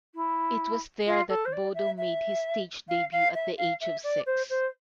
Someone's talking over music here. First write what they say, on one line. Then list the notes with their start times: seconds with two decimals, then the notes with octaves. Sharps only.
It was there that Bodo made his stage debut at the age of six.
0.15 E4
1.06 F4
1.29 A4
1.45 C5
1.52 D5
1.74 E5
1.98 E5
2.89 F5
3.12 F5
3.34 E5
3.58 F5
3.81 E5
4.04 D5
4.26 C5
4.50 C5